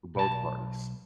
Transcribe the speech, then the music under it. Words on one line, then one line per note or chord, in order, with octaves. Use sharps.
For both parties.
B1 A5